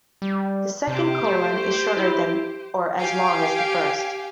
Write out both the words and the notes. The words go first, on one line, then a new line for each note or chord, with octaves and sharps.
The second colon is shorter than or as long as the first.
G3
C3 G4 C5
A3
E4
G4 F5 G5 G#5